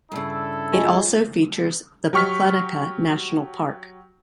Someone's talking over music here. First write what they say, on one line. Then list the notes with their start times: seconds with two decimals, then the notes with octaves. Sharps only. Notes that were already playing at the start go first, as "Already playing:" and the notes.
It also features the Paklenica national park.
0.12 G2 C#3 E4 A4
0.73 G#3 F4 G#5 C#6
2.13 F#3 G4 C#6 F6 B6